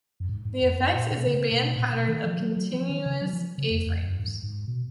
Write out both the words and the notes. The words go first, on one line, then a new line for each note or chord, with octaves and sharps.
The effect is a band pattern of contiguous A-frames.
F#2
G#2
G#2
F2
F#2
A#2
B2
C#3
B2
A#2
B2
D#3
F3
F#3
F3
F#3
F3
D#3
C#3
F#3
F3
C#3
F2
F2
F#2
G#2
G#2
B2